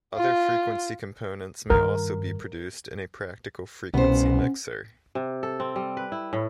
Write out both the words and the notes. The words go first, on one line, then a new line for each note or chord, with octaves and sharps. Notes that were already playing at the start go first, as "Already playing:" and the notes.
Other frequency components may also be produced in a practical frequency mixer.
F4
G2 D#3 A#4
C2 B2 B3 C#4 C5
C3
A4
C4
G3
B4
E4
A2